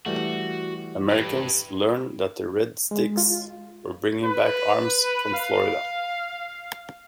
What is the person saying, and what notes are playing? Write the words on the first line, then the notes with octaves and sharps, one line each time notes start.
Americans learned that the Red Sticks were bringing back arms from Florida.
E3 G3 A3 F#4
G4 B4
G#3
F4
B4
F5